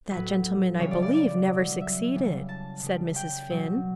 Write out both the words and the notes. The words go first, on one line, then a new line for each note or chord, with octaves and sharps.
"That gentleman I believe never succeeded," said Mrs. Finn.
A2 F#3 B4
C#3 E3 G3 C#5
D5
D5
D5
B2 F#3
E5
C#3 E3 G3
A5
C#3 G3
G5
B2 F#3